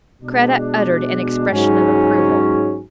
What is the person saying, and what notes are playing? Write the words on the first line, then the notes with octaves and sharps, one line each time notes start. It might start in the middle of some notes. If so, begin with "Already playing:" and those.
Kreta uttered an expression of approval.
B2 G#3 D4
G#2 F#3 C#4